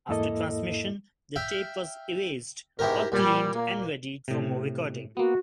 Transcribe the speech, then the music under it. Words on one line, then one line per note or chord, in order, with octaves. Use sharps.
After transmission, the tape was erased or cleaned and readied for more recording.
E2 G#2 A#3 E4 A4 D#5
E5 F5 G5
G#2 B2 E4 G4 A#4
A#2 G3 G#5
A#3
A2 C3
A#3 B3 F#4